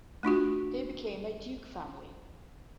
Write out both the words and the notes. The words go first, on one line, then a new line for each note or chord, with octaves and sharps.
They became a Duke family.
A3 D4 F4 F#4